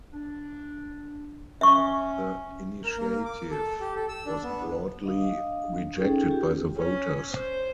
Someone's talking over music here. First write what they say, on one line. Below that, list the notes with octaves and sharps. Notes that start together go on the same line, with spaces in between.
The initiative was broadly rejected by the voters.
D4
C#4 E5 C#6
A#4
A#3
D6
A4
G4
A4
E6
D4
B3
D4 D#5 F5 D#6
C#4 D#4 G#4 A4 G5
F4 G4
C#4
C5